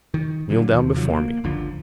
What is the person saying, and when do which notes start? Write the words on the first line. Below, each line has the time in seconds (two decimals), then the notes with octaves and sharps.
Kneel down before me.
0.14 D#3
0.50 A#2 D3 F3 F#3
0.71 D#2 D#3
0.95 C3 D#3 F3 F#3
1.10 A#3
1.44 G1 C#2 D3 F3